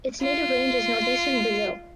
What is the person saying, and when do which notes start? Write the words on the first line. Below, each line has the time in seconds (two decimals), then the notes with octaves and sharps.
Its native range is Northeastern Brazil.
0.22 F4